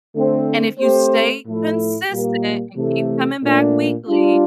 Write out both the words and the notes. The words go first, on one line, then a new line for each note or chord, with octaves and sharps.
and if you stay consistent and keep coming back weekly,
D3 A3 C4
A3 C4 G4 C5
A2 F3 A3 E4
A#2 G3 A#3
C3 E3 A3
A#2 A3 D4
G3 D4 F4